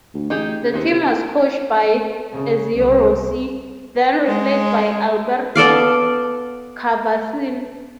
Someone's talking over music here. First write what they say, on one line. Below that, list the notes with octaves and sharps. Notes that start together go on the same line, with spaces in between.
The team was coached by Ezio Rossi, then replaced by Alberto Cavasin.
D2
A1 D#4 G4 G#4
C#3
D#2 B3 C4
C3
C#3
C2
G#3
B3 A4 D5 F5